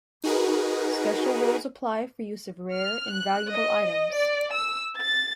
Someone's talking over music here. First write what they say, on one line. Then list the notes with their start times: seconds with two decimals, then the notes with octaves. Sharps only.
Special rules apply for use of rare and valuable items.
0.24 D#4 F#4 G#4 A#4 B4
2.75 F6
3.13 F#6
3.53 D#5
3.85 D#5
4.16 D5
4.54 E6
4.97 A6